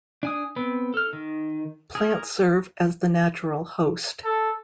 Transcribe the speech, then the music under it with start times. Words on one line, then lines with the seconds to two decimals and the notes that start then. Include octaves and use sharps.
Plants serve as the natural host.
0.23 D4 G#5 D#6
0.56 B3 C4
0.94 A4 F6
1.13 D#3
1.95 G#4 A#4
4.24 A4